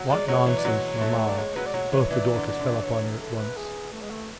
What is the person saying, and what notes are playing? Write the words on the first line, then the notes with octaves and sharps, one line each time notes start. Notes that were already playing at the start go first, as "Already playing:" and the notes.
"What nonsense, mamma!" both the daughters fell upon her at once.
Already playing: F#3
G#3 D5
F#3 C#5
E3 C#5
D5
F#3 C#5
A3
D5
G#3 C#5
F#3 B4
D5
F#3 C#5
E3 C#5
E3 D5
D3
D5
D3
C#5
A4
B4
G#4
A3
G#3
A3